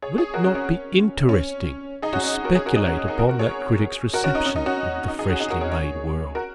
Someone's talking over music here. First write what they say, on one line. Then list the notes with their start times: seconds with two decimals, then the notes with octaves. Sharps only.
Would it not be interesting to speculate upon that Critic's reception of the freshly made World?
0.02 G#4 C#5
0.18 G#4 C#5
0.34 F#4 A#4
0.44 C#4 F#4
0.55 C#4
1.29 C#4
2.02 D#4 G#4
2.13 C#4 F#4
2.24 C#4
2.34 D#4
2.45 F#4 A#4
2.55 G#4 C#5
2.66 F#4 A#4
2.76 D#4 G#4
2.87 C#4 F#4
3.08 D#4 G#4
3.19 F#4 A#4
3.29 F#4 A#4
3.39 G#4 C#5
4.14 F#4 A#4
4.24 C#4 F#4
4.35 D#4
4.45 C#4
4.56 D#4
4.66 C#4 F#4
5.08 D#4
5.19 D#4 G#4
5.30 C#4 F#4
5.40 D#4 G#4
5.50 F#4 A#4
5.61 G#4 C#5
5.72 G#4 C#5
6.35 F#4 A#4